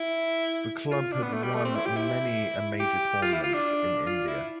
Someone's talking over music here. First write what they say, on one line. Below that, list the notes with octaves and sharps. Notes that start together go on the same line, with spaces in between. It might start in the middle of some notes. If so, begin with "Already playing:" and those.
The club had won many a major tournaments in India.
Already playing: E4
F4
D4
B3
A3
G3
A3
C4
E4
G4
E4
G4
F4
E4
F4
D4
F4
E4